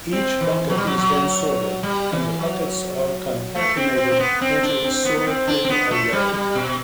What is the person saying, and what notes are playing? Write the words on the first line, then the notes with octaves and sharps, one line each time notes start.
Each "bucket" is then sorted, and the "buckets" are concatenated into a sorted array.
C4
E3
F#3
G3
F#3
F#3
G3
E3
F#3
A3
C4
C4
C4
B3
C4
D4
C4
B3
B3
C4
D4
C4
B3
A3
G3
G3
B2